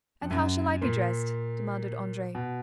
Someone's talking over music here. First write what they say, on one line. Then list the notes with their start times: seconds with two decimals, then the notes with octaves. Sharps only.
"And how shall I be dressed?" demanded Andrea.
0.21 F2
0.31 F#2
0.82 A#2
2.35 B2